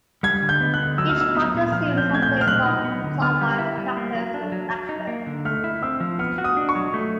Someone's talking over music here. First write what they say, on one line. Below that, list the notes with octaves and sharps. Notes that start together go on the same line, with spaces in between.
Each part of the series had its own plotlines, characters, and actors.
G3 G#6
D3
G6
B3
F#6
D3
F#3 E6
F6
D#4 E6
B3
A#2
F3 F6
C4
G6
A3 G#6
G6
A#2
F6
F#3 F#6
D#4
B3
D3
B3 F6
G3
E4
G3
A#3
F#3
D4
F#3
F#3
D#4
A#3
D3
A3 F6
E4
C4 E6
F3
B3 F6
F#4
D#6
D4
C#6
F#3
A3